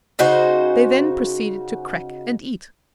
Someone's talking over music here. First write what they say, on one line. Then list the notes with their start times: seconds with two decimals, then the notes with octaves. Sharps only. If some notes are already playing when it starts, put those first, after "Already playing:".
They then proceeded to crack and eat.
0.19 C#3 D#4 F#4 C5